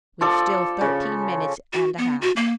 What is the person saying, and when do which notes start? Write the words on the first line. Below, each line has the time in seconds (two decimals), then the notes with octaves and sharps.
"We've still thirteen minutes and a half."
0.21 F3 A4 D5
0.81 C#3
1.73 F#4
1.98 B3
2.22 F#4
2.36 A#3